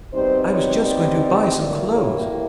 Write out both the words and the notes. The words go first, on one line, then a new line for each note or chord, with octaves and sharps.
I was just going to buy some clothes.
B2 G3 C4 D#4 C5
C#5
D5
D5
A2 E3 G3 A#3 D5
C#5